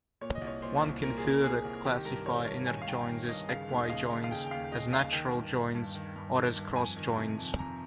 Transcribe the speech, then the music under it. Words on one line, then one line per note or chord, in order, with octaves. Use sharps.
One can further classify inner joins as equi-joins, as natural joins, or as cross-joins.
A#2 C#5
D#5
C2
C#5
A#2 C5
C2
A#2 A#4
G#4
C2
A#4
A#2 G#4
C2
D#3 G4
G2 A#4
D#3 C#5
G2 C#5
D#3 G#5
F5
G2 G5
D#3
G2 D#5
C#3 F5
D#2
D#5
C#3 F5
D#2
F5
C#3 G5
G5
D#2 F5
C#3 D#5
D#2 F5
D#3 G5
G2
D#3
G2
D#3
G2
D#3
G2
F2 G#5
D#3
C3
F2
F2 A#5